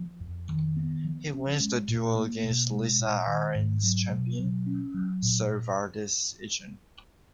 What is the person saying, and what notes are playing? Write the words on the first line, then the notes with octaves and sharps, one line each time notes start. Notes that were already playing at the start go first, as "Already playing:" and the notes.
He wins the duel against Lysa Arryn's champion, Ser Vardis Egen.
Already playing: F3
F2
D#3
B3
F3
C#4
G#3
A#2
A#3
B2
G#3
A#2
D#3
G#2
F#3
B2
F#3
C#4
F#3
A#2